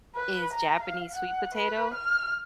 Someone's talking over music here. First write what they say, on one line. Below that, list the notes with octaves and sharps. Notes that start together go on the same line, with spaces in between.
is Japanese sweet potato.
B4
A#5
F5
F#5
B4
F6